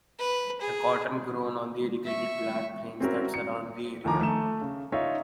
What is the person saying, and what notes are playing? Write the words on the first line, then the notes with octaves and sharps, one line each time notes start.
The cotton is grown on the irrigated black plains that surround the area.
B4
G#4
E5 C#6
C4 C#4 E4 F#4 A#4
C#7
D2 D#3 F3 G#5 A#5 D6
A3 E7
C#3
D#4 F4 C#5 E5